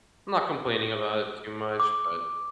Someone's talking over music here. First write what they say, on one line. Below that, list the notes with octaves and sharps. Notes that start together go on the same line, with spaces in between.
I'm not complaining about it too much, but,
D6